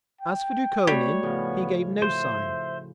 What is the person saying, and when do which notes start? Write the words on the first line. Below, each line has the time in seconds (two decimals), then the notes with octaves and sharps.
As for Dukhonin, he gave no sign.
0.21 G5
0.87 G3 A3 F#4 C#5
1.23 A2 C#3 F3 B3
2.02 C5 E5